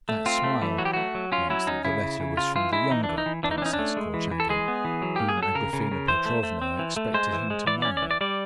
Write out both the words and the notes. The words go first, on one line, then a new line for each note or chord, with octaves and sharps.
That smile meant that the letter was from the younger Princess Korchagin, whom Agraphena Petrovna expected him to marry.
A3
C4 F4
A3
E3
F#3 F#4
G4
A3 F#4
F#3
C#4 F4
F#3 E4
C#4 D#4
C#3 E4
C#3
C#3
C#3 F4
E3 F4
G#3 E4
E3 D#4
D4
E3
D#4
E3
E3 D4
D#4
D4
C#4 D#4
D4
A3
G#3
E3
E3
A4
G#3 G#4
B3
E3
F#3
A#3 G4
G#4
F#3
A4
C#3 A#4
C#3
C#3
E3 C5
A3
A3
C4
E3
A3
G#3 C5
E3
G#3
E3 D5
D5
C#4
D5
E3
D5
G3 D5